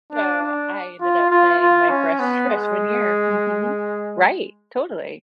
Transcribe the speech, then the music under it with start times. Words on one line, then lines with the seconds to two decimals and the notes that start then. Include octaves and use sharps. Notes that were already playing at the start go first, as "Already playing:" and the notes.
so, I ended up playing my fresh freshman year. Mhm. Right, totally.
0.12 D4
0.41 D4
1.01 F4
1.30 F4
1.60 F4
1.89 C#4
2.19 B3
2.50 G#3